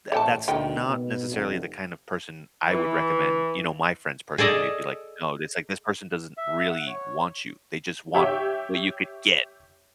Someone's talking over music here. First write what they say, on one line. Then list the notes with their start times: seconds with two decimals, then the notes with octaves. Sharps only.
tha that's not necessarily the kind of person I would recommend. You know, my friends, personally, would be like, "No. It's like this person doesn't really want you, they just want what you could get.
0.12 A1 A3 G5 A5
0.48 D2 D#3 A3 G5
0.85 B2
1.31 F1
2.68 E3
4.38 G#4 A4 D5 D#5
6.38 E5
6.71 F#5
6.87 C#5
8.14 G4 C#5 E5 G5